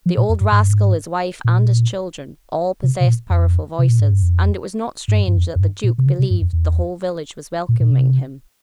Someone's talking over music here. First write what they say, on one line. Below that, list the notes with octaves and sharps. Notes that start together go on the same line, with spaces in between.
The old rascal, his wife, and his children, all possessed powerful voices; and it was not strange that the duke believed the whole village was welcoming him.
F3
A#2
F2
G2
G#2
G2
G#2
A#2
C3
C3
A#2
F2
C3
A#2
G#2
G2
F2
G#2
G2
G2
F2
F2
G2
A#2
C3
C#3
C3
G2
F2
E2
A#2
A#2
C3